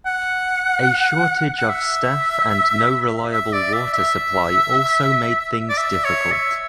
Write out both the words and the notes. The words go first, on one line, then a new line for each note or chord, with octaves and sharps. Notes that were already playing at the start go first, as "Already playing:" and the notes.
A shortage of staff and no reliable water supply also made things difficult.
F#5
F#5
E5
E5
D5
E5
E5
D5
E5
C#5
E5